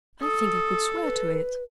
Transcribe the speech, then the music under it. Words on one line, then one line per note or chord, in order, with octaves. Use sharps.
"I think I could swear to it."
A4 D#6
B4